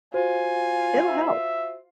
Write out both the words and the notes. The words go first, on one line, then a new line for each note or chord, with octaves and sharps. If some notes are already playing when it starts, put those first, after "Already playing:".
It'll help.
F4 F#4 C5 G#5
E5